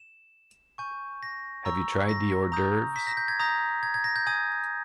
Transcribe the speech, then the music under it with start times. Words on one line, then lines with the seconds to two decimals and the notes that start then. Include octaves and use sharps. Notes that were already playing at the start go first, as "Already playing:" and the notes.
Have you tried the hor d'oeuvres?
Already playing: E7
0.78 G#5 C#6 G6
1.23 A#6
1.65 A#5 C#6 E6
2.09 A#6
2.52 A#5 D#6 G6
2.96 B6
3.07 A#6
3.17 G6
3.28 G#6
3.40 A#5 D#6 G6 A#6
3.83 G#6
3.94 G#6
4.04 A#6
4.16 G6
4.26 G#5 D#6 G6 G#6